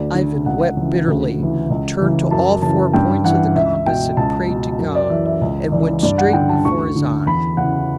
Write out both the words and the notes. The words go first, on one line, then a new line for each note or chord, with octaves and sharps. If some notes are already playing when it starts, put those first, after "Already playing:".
Ivan wept bitterly, turned to all four points of the compass and prayed to God, and went straight before his eyes.
Already playing: D2 D5
D3
C#2 F#5
C#3 E3
D2
C#3 E3
C#2
C#3 E3
F#2 A5
C#3 E3 A5
G2 G5
E3 F#5
C#2 E5
B2 G5
C#2 A5
B2
F#2
D5
E3 E5
E5
C#2
C#3 E3 D5
G2 D5
F#5
D3 G5
A5
D2 C#6
D3
E2 B5
C#3 E3 F#5